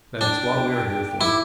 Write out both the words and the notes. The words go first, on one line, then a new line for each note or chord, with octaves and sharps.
That is what we are here for.
D4 G5
E4 D6